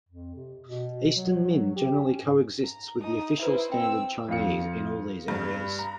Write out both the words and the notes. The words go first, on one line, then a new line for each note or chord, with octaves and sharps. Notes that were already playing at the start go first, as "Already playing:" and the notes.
Eastern Min generally coexists with the official standard Chinese in all these areas.
F2
C3
B2
F#3
G4
C#4
G#2
A#5
D#4 D#6
E4 B4 C5 E5
C4 G5 E6
F2 F4 F5 C#7
G2
A#5